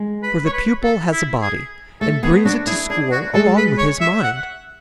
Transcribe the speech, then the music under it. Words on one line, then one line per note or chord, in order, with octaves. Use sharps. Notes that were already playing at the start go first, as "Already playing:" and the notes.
For the pupil has a body, and brings it to school along with his mind.
Already playing: G#3
B4
C#5
B4
A4
E4
G#4
A3 A4
B3 G#4
D4 F#4
E4 G#4
D4 G#4
F#4
G#3 A4
B4
C#5
E5
F#5